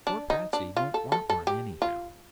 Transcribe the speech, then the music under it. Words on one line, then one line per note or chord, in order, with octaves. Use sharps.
Poor Patsey won't want one, anyhow.'
D4
D#4
D4
F4
A4
A4
A4
G4
F4